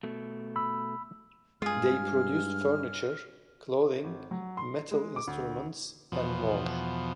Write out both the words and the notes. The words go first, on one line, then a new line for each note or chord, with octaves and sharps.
They produced furniture, clothing, metal instruments and more.
B2 A3
B5 E6
G2 G#3 F4 G#4 F6
G#1
F#3
C6
G#3
D6
D2
E2 B2 F3